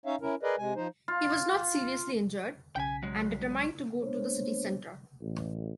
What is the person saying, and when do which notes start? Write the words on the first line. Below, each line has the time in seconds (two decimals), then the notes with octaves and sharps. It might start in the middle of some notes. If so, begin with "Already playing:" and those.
He was not seriously injured, and determined to go to the city centre.
0.06 C#4 D#4 C#5 E5 F5
0.22 C#4 E4 A#4
0.43 G#4 A#4 B4 D5 D#5
0.58 C3 G#3 G#5
0.76 F3 D#4 C5
1.08 F4
2.76 B1 C#3 G5 G#5 B6
3.03 F#3 G#3
4.02 G#3 A#3 B3 D4 C5 C#5
5.20 A1